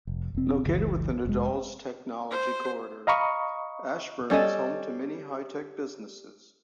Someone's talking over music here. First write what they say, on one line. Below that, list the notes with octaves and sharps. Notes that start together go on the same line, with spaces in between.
Located within the Dulles Technology Corridor, Ashburn is home to many high-tech businesses.
F1
E1 C4
F#1 C#2 E3
F1 G#3
C5
D#5 F5 A#5 B5 C#6 D#6
G3 C#4 A4 D#5